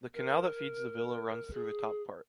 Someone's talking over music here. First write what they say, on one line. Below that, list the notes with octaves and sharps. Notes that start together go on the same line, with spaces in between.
The canal that feeds the villa runs through the top part.
A#4
G#4